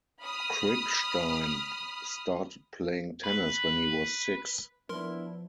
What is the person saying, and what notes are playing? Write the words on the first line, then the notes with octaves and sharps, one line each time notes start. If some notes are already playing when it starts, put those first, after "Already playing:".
Krickstein started playing tennis when he was six.
B5 D#6 F6
B4
F3 B3 D4 E4 A#4 C6